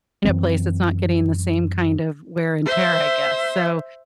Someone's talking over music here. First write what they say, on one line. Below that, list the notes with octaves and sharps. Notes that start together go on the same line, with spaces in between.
place that's not getting the same kind of wear and tear, I guess, so
F#2 E3 C4
C5 E5